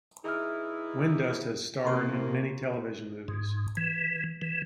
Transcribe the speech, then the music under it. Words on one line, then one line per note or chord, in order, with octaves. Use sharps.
Windust has starred in many television movies.
E3 D#4 E4 G#4 F6
D#2 C3 F3 A#3 A#5 C6 C#6
G#2
E3
E3